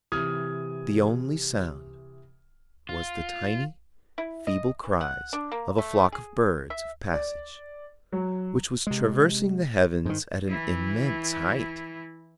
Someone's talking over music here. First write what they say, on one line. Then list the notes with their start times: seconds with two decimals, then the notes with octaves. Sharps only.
The only sound was the tiny, feeble cries of a flock of birds of passage, which was traversing the heavens at an immense height.
0.12 C3 E3 D#6 F6 G#6
2.89 F4
4.18 E4
4.47 D#5
4.84 E3
5.01 F#5
5.33 D4
5.52 A#3
5.78 A3
6.12 G#4
6.70 E5
7.13 D5
8.12 F#3
8.87 C3 G#3
10.05 G#2 D#3
10.49 E3 E4